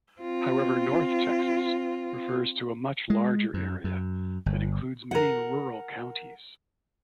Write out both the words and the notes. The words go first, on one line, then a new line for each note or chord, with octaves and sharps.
However, North Texas refers to a much larger area that includes many rural counties.
C4 F4
G#3
F#2
F#2
G1
A#4 F#5